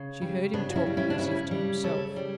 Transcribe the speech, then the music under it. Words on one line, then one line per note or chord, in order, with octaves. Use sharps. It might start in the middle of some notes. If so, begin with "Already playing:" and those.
She heard him talking, as if to himself.
Already playing: C#3
G3
C#3 B3 D4
F#4
C#4 E4
G3
C#4 E4
D4
C#3 C#4 E4
G3
C#3 A4 C#5
G3